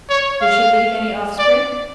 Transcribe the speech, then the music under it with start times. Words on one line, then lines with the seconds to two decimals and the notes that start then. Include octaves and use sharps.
"Did she leave any offspring?"
0.09 C#5
0.41 F5
1.39 D5